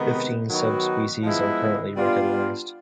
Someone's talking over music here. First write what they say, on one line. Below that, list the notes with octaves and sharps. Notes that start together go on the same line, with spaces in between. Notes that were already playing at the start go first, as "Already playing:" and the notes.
Fifteen subspecies are currently recognised.
Already playing: C3 D#3 G#3 B3 D#4
D#3 F#3 B3 D#4 F#4
F3 G#3 B3 E4
G3 B3 D4 F4